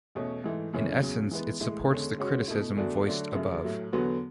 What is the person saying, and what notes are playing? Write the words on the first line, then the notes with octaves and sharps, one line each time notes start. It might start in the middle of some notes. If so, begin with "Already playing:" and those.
In essence it supports the criticism voiced above.
E2 B2 A3 C#4
G#2 E3 A3
F#2 C#3 E3 A3 C#4
E2 C#3 F#3
E3 G#3 B3
A2 E3 G#3
E2 D3 G#3 C#4
C#3 G#3 C#4 F#4
B2 A3 E4
E2 D3 A3 D4 F#4
D3 F#3 A3 D4 F#4
F#2 C#3 F#3 A3
A2 F#3 A3
E2 D3 F#3 B3 F#4